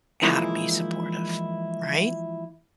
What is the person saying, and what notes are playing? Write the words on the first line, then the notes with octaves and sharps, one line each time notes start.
how to be supportive, right?
E3 F3 G#3 A#3 D#4 E4